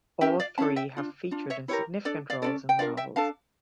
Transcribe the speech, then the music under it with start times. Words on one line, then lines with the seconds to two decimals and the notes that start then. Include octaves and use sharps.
All three have featured in significant roles in the novels.
0.21 C#4 G4 A#4 E5 G5
0.40 D5 F5
0.58 C#4 E4 A4 F5 A5
0.76 E5 G5
0.97 D4 F4
1.31 D4 F4
1.50 C#5 E5
1.68 E4 G4 A#4 C#5
2.05 D4 A4 D5
2.30 D5 F5
2.42 C#4 F4 A4 D5
2.69 G5
2.79 D4 F4 A#4 D5 F5
2.97 E5 G5
3.16 D4 A4 F5 A5